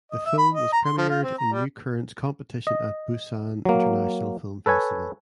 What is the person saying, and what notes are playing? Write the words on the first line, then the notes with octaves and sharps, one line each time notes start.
The film was premiered in New Currents competition at Busan International Film Festival.
D#5
E5
B5
D#5
A#5
C6
F3
F4
C4
A#5
G3
D#5
F#3 A#3
A4 B4 C#5 G#5